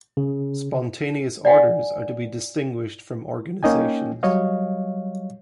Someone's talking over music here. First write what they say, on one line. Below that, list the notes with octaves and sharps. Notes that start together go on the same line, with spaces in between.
Spontaneous orders are to be distinguished from organizations.
C#3
D5 F#5 G#5
A#3 C#4 D#4 D#5 G5 G#5
F#3 G3 C#5 D#5 F5